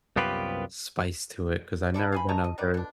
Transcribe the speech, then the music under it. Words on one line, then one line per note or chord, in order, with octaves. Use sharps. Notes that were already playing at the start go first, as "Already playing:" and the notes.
spice to it 'cause I've never been a very
C2 F#2 B3 F4 G4 B4
F#3 E4 A4 D5
F5 G#5 B5
D#5 A5 A#5 C#6
D#5
G3 B3 D#4 D5
B2 D4